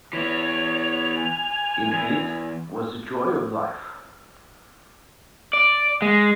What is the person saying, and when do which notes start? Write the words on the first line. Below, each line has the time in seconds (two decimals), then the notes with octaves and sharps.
In it was the joy of life.
0.13 E3 B3 C#5 F7
1.19 G#5
1.93 E2
5.53 D5
6.02 G#3